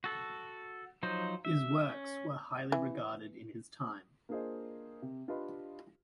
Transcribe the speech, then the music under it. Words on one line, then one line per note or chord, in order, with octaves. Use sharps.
His works were highly regarded in his time.
F#4 A4
F3 F#3 D#4 C5
E5
C#4
E3
A#3 D4 F4 G#4 C5 D#5
C3
D4 F4 G4 B4 D#5 B5